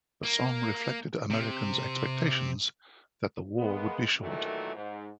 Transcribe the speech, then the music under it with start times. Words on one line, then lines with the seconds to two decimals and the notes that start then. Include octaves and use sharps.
The song reflected Americans' expectations that the war would be short.
0.23 A#3
1.30 C3
3.56 G#3 A#3 B3
4.20 A#2 D#3 E3 F#3 A3
4.75 G#2